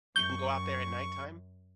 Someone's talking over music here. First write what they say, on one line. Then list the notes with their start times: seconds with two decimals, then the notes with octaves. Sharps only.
You can go out there at nighttime.
0.16 F#2 C#6 G6